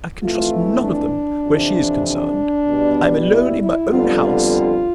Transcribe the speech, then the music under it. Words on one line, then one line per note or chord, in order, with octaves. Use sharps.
I can trust none of them where she is concerned. I am alone in my own house.
F2 E3 A3 F4
E4
D4
F2 C3 E3
D4
B2 G3 B3
E4
E4
F2 D3 G3 B3 F4